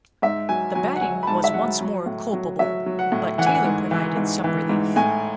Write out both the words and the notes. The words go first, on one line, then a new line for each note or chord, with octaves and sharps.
The batting was once more culpable, but Taylor provided some relief.
G#2 E5
F#3 G#5
F#3 G#5
F#5
F#3 G#5
B5
G#2 A5
E5
F#3 F#5
F#3
A2
F#3
F#3 E5
F#3
F#5
A2
E3 F#5
G#5
F#5
G#2
E3
G#2
E3
G#2
A2 G#5